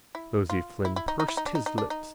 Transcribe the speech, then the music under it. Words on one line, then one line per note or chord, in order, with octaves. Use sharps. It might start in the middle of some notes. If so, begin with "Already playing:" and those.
Nosey Flynn pursed his lips.
E4
F4
E4
E4
D#4
D#4
E4
D#4
D4
D#4
D#4
D4
D#4